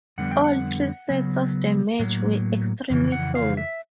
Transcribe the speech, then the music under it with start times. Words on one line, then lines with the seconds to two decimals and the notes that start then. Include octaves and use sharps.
All three sets of the match were extremely close.
0.18 F2 D3 G3 B3 F#5
0.31 G5
0.44 F#5
1.09 C#3 F#3 B3
1.99 A2 F#3 A#3
2.90 F2 C#3 E3
3.12 F#5
3.35 F5
3.57 E5